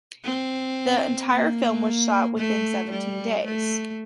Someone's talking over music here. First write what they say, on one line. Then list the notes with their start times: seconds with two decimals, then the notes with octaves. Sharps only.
The entire film was shot within seventeen days.
0.24 C4
1.31 A#3
2.38 A3
2.91 G3
3.45 A3